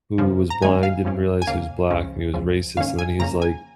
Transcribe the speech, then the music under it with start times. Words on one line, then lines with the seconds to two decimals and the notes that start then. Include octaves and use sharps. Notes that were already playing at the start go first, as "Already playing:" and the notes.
who was blind, didn't realize he was black, and he was racist, and then he was like
0.18 F2 C#3 F3
0.50 A#5
0.62 F2 D#3 G#3 C#4 G#5
0.83 F5
1.05 F2 F3 C#4
1.42 G#5
1.47 D#2 C#3 A#3 F5
1.90 C#2 C#3 F3 C#4
2.34 C#2 C#3 F3
2.77 G#2 D#3 A#3 C#4 F5
2.99 G#5
3.19 F2 C#3 A#3 C#4 A#5
3.42 G#5